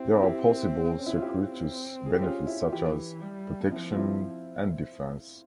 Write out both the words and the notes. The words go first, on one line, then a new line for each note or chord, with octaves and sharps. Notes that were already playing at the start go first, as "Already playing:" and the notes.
There are possible circuitous benefits such as protection and defense.
Already playing: C4 E4 G4
E4 G4
C#4
E4
F4
C4 E4 G4
G#4
G4
C#4 F4
E4
F4
E3 E4 G4
G3
F3 C4 E4
F4
C4 E4